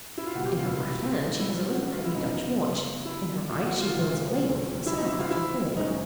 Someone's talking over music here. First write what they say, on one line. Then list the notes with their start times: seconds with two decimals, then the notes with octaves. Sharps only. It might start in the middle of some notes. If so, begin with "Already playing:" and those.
In her left hand she has a little heavy Dutch watch; in her right she wields a ladle for the sauerkraut and pork.
0.17 E4
0.26 F4
0.35 C#2 B2 G3 F#4
0.45 G4
0.57 F4
0.63 E4
0.68 F4
0.80 E4
1.24 D#4
1.39 E4
1.54 F4
1.70 F#4
1.81 F#4
1.92 F4
2.04 E4
2.15 F#2 C#3 F#3 B3 D#4
3.05 E4
3.50 F4
3.66 F#4
3.81 F4
3.96 D2 C3 F3
4.86 E4
4.97 D#4
5.09 E4
5.20 F4
5.31 E4
5.77 F#1 F#2 D#3 G#3 C#4 D#4